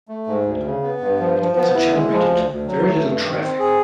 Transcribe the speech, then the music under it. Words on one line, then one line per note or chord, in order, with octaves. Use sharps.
It also generated very little traffic.
A3
G#2
D2
C#3
B3
G2
F3
F3
B3
E4
G#3
F3
D2
D2
F#3
A3
G2
D#3
C4
G#4